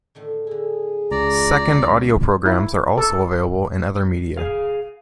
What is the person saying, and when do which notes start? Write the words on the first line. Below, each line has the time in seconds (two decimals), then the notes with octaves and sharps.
Second audio programs are also available in other media.
0.15 A2 D3 D#3
0.47 D3 E4 G#4
1.11 C#2 D5 A#5
2.46 E4
2.98 A4
4.37 G#4 F5